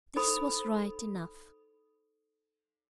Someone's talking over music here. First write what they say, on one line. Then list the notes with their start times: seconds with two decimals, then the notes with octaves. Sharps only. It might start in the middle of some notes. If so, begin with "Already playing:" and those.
This was right enough.
0.16 D#4 A4 C5 B5 D#6